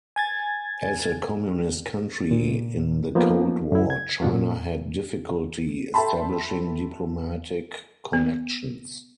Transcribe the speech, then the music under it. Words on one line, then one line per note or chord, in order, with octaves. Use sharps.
As a communist country in the Cold War, China had difficulty establishing diplomatic connections.
G#5 G#6 A6
A#2
F3 A#3 B3 D#4
F#2 E4
G#6
G2 B2 D4 F4
A#2
A4 E5 G5 A5 B5 C6
B3